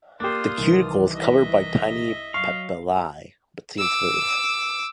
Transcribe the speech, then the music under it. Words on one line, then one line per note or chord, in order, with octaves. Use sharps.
The cuticle is covered by tiny papillae but seems smooth.
A#3 D4 F4 G4 C5 D#6
C2 D#3 E3
D#5 E5
F#3 F5 C#6
D6 E6